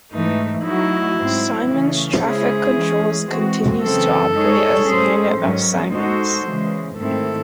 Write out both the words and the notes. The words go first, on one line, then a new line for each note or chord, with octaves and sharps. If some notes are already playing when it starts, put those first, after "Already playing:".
Siemens Traffic Controls continues to operate as a unit of Siemens.
G#2 E3 A3 D#4
F#3 A3 D#4 E4 F#4
G#2 F#3 C4
C#3 E3 A3 C#4
C#3 G#3 C#4 E4 G#4 C5
E3 G#3 C#4
E3 G#3 C4 F#4
F#2 C#3 E3 C4 A4
G#3 D#4 G#4 C#5
A2 G#3 C#4 G#4 C5
G#2 D#3 F#3 C#4
G#3 D#4 F#4 A4 C5
C#3 E3 G#3
G#2 D#3 A3 C4 E4 A4